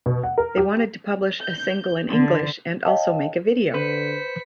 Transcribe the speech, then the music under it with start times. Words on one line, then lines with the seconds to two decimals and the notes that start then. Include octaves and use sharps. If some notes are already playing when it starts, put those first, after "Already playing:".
They wanted to publish a single in English and also make a video.
0.06 B2
0.23 F#5
0.38 A#4
0.57 G4
1.39 G6
2.10 D3
2.85 C#5 D#5 F5 G5 A5
3.74 D3 B4 C5 B6 C#7